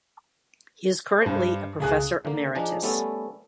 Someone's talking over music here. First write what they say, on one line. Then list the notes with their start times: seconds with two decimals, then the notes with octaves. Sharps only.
He is currently a Professor emeritus.
1.22 G2 C5
1.80 C#2 G#4 F#6
2.25 D3 A#3
2.55 F3 D4 D#4 G#4
2.83 G3 A3 B3 C#4 A4